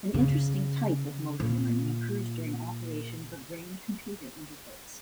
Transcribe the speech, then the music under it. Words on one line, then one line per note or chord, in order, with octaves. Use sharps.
An interesting type of motor learning occurs during operation of a brain-computer interface.
C#3
A#2